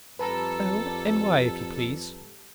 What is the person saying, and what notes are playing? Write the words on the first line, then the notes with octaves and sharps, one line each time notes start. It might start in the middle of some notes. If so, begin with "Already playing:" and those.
"Oh, and why, if you please?"
F2 G3 A4 B4 A5 A#5